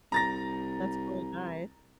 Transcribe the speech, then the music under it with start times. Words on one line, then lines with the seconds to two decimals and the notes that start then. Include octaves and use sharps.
That's really nice.
0.12 C2 A#5 A6 A#6